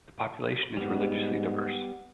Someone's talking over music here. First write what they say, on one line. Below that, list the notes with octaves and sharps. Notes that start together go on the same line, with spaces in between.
The population is religiously diverse.
G#2 G3 B3